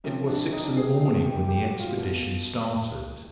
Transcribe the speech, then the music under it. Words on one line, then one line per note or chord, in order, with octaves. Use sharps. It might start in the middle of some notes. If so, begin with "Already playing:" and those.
It was six in the morning when the expedition started.
C3 F3 C#4
D4
D#4
D4
G#4
G4
C3 F3 G#4
G4
G4
F#4
F4
B2